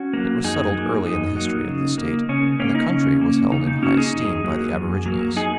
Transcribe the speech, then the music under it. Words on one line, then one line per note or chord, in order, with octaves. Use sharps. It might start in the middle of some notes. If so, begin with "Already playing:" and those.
It was settled early in the history of the State, and the country was held in high esteem by the aborigines.
Already playing: C#4 F#4
F#3 A#3
F#2 D#4 G#4
F#3 A#3
F#2 D#4
F#3 A#3
C#3
A#3
C#3 C#4
A#3 C#4
D#4
C#3 C#4
A#3
C#3 D#4
D#4
A#3 C#4 F#4
D#4 G#4
F#2
F#3 A#3
F#2
F#3 A#3
D#4 G#4